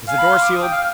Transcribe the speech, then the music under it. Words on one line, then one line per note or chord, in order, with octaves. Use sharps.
Is the door sealed?
F5 G#5
B5
C6
D6
D#6
G5
F5 F6